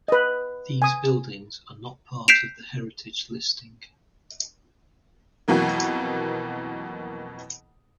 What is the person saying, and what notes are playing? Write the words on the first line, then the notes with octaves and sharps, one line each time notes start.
These buildings are not part of the heritage listing.
B4 D#5
G#5 D#6
G6 B6 C7 D7 E7 F7
F2 B2 E3 F#3 A#3